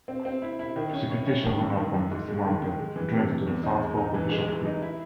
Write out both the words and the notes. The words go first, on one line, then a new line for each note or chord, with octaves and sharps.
Precipitation runoff from this mountain drains into the South Fork of Bishop Creek.
C4
C4
E4
E4
D#3
C#4
C#4
C#4
D#3
F#2
D#3
F#2
G#2
G#3
D#3
D#3
G#3
E3
C3
C3
E2
D#4
G#3
D#4
E3
G#3
E3
D#4
E4